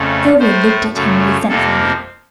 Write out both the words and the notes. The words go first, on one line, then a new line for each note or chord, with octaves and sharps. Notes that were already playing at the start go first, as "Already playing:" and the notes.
Sylvia looked at him resentfully.
Already playing: F2 C#3 A3
A2 A3 C5
F#2 C#3 A3
F2 C3 F3 A#3 A4